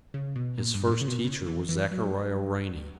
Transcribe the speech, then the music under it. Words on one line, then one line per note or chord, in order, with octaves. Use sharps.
His first teacher was Zachariah Riney.
C#3
B2
A#2
G2
G2
A#2
C#3
B2
C#3
E3
E3
F#3